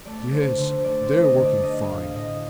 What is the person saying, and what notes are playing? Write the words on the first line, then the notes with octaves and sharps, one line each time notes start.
Yes, they're working fine.
A3 D5
D3 C5
D3 C5
A3 D5
C5
A3
D#5
D3
D5
A3 D#5
A2 F5
A2 D#5